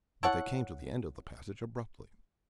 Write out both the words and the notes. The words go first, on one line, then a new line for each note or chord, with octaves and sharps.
But they came to the end of the passage abruptly.
E4 A4 C#5 F#5